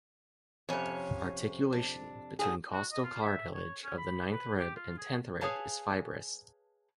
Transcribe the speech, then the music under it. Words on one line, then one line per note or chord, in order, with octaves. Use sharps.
Articulation between costal cartilage of the ninth rib and tenth rib is fibrous.
F2 C3 C#4 C#5
D4
D#2 D3 D#3 G#4
F#4
D#5
F4
E5
C#5
C#4
B5
B4
G4
F4
G#4
G#4 B4 C#5 F5 G#5 A5